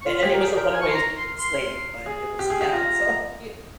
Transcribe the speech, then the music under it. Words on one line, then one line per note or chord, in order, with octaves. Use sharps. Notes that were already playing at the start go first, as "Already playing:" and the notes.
A and he was a runaway slave, but it was yeah, so y
C#6
F4 C6
G4 G#5
A#4
G#4 G5
A#4 G5
G#5
C#6
C6
A#5
C6
C6
G#4
G4
G#4
G4
F4 A#5